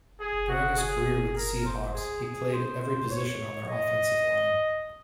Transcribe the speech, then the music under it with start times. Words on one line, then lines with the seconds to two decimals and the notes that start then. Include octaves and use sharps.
During his career with the Seahawks, he played every position on their offensive line.
0.20 G#4
0.49 F#4
0.78 G#4
1.36 A#4
1.66 C5
1.94 G#4
2.23 G#4
2.52 C5
2.81 C5
3.11 C#5
3.69 D#5